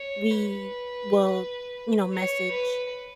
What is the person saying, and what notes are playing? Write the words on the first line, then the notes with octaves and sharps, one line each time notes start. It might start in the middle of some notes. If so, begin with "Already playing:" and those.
we will, you know, message
Already playing: C#5
B4
C#5
B4